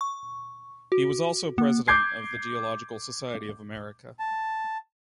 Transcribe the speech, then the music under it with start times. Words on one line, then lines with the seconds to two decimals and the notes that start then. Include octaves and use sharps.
He was also President of the Geological Society of America.
0.01 C#6
0.92 F#4
1.58 A#3
1.88 D6 G6 G#6 C7
4.19 A5